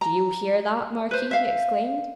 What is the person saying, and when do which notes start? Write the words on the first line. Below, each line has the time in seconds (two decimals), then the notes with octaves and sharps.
"Do you hear that, Marquis?" he exclaimed.
0.01 A#5
1.11 B4 C5
1.31 E5 F5